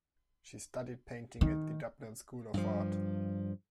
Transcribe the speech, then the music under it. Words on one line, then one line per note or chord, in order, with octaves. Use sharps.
She studied painting at the Dublin School of Art.
D#3
G2 F3